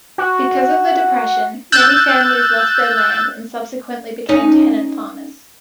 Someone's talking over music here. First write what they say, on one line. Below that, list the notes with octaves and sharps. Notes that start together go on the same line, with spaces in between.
Because of the Depression, many families lost their land and subsequently became tenant farmers.
F#4
E6 F#6 G6 A6
C#4 D#4